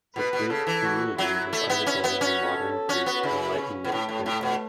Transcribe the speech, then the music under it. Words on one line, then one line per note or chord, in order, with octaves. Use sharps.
The Greek community was undergoing the Modern Greek Enlightenment in art.
B2 B4
B2
C#3 A4
E3
F#4
F#3 E4
A3
B3
C#4
B3
C#4 F#4
A4
C#4 F#4
B3
C#3 E4
C#4
B2
A2 A3
A2
A2
B2